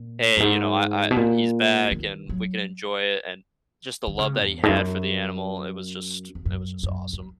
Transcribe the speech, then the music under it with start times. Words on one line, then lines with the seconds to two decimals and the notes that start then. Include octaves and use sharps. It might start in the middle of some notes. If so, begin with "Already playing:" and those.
"Hey, you know, I I he's back, and we can enjoy it," and just the love that he had for the animal, it was just it was just awesome.
Already playing: A#2
0.37 F#2
0.40 G#2
1.11 B2
1.16 A#2
1.91 D#3
2.29 F#3
4.07 D#3
4.19 C#3
4.44 E2
4.63 G#2
4.69 F#2
6.35 E2
6.46 F#2
6.83 F#2
7.13 F#2